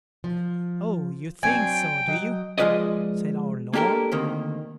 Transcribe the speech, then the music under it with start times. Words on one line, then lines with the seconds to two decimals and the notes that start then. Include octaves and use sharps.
'Oh, you think so, do you?' said our Lord.
0.24 F3
1.43 F#3 C4 D4 G5 G#5
2.08 F#3 D#5
2.58 F3 G#3 F4 B4 D5 D#5
3.74 A#3 D4 G4 A4 A#4
4.12 D2 C3 D#3 A#3